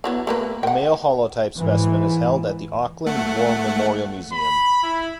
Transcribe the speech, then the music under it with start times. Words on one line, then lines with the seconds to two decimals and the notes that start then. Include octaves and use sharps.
The male holotype specimen is held at the Auckland War Memorial Museum.
0.04 E3 F#3 B3
0.27 A3 A#3 B4
0.63 F#5 G5
1.57 G#2 E3
3.06 A3 F#5
4.32 B5
4.83 E4